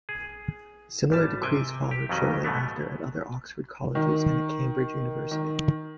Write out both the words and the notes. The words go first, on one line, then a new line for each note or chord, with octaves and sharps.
Similar decrees followed shortly after at other Oxford Colleges and at Cambridge University.
G#4
G#1 G3 A5
C3 G5 G#5
G4
F2 D#3 F#3 G3 D#5
G#2 B2 A3 B3
D#3
D#3